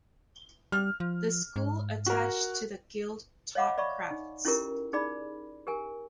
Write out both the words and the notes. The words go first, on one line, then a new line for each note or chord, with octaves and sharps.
The School attached to the Guild taught crafts.
G3 F6
F3
G#2
F#4 A#4
C#5 D#5 F5 F#5 B5 D6
D5 E5 B5 C#6
D#4
C#4 E4 F4 G4 A4 A#4
D#4 G#4 D5 B5
G4 A#4 G#5